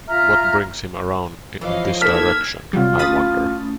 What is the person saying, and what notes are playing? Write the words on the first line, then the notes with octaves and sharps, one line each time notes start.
What brings him around in this direction, I wonder!
F4 E5 A#5 F6
E3 F3 C#5 D#5 F5
A#3 D#4 A4 E6 F6 G#6 B6
C3 F#3 G3 F4
A3 C#4 E4 B5 D#6 A6